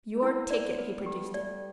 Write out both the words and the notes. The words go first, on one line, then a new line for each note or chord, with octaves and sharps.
"Your ticket." He produced it.
A3
B3 E4
D5
B3
B4
G3
A3 G4
D5